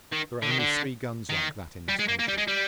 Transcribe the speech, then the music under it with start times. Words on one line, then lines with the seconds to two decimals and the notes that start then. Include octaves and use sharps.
There are only three guns like that in this country.
0.12 D#3
0.42 D3
0.50 D#3
0.59 D3
1.30 D#3
1.89 G3
1.99 G#3
2.08 A#3
2.19 A#3
2.28 G3
2.37 G#3
2.47 G3